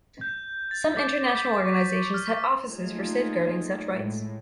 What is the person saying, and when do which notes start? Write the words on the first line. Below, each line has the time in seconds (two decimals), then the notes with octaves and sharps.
Some international organizations have offices for safeguarding such rights.
0.21 G6
0.71 A6
0.97 D6
1.30 B6
1.65 C#6
2.14 F6
2.68 A3 A#3 D#4 F4 G#4
3.95 A2 G#3